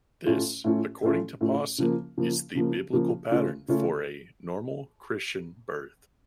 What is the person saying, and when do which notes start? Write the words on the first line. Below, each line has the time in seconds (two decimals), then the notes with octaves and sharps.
This, according to Pawson, is the biblical pattern for a "normal Christian birth".
0.26 A2 A3 C#4 F4
0.64 A2 A3 C#4 F4
1.02 A2 A3 C#4 F4
1.41 A2 A3 C#4 F4
1.78 C#3 F3 A#3
2.17 C#3 F3 A#3
2.55 C#3 F3 A#3
2.93 C#3 F3 A#3
3.30 C#3 A3 C#4 F4
3.68 C#3 A3 C#4 F4